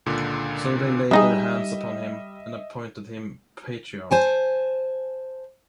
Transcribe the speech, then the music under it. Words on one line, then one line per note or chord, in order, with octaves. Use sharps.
So they laid their hands upon him, and appointed him patriarch.
C#2 A#2 D3
G3 G#3 D#4 G#4 D#5 E5
C5 G#5 A5